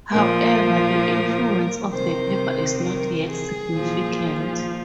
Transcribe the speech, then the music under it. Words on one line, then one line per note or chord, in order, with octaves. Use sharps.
However, the influence of the paper is not yet significant.
A#2 F3 A#4
C3 D#3 C5
A#4
G#4
A#2 F3